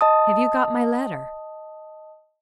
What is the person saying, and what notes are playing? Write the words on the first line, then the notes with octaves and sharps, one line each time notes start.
Have you got my letter?
D#5 A5 D#6